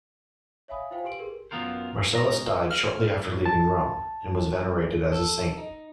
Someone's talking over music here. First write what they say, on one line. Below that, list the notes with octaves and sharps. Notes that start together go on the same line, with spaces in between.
Marcellus died shortly after leaving Rome, and was venerated as a saint.
C#5 E5 F5 G#5 B5 D#6
E4 F4 C5 F5 G5 G#5
G4 B4 C6 D7 F#7
G4 G#4 A#4 B4
F#2 B3 F4 A#4 C5
G#2 B2 A#5
F6
A5
A4
D#4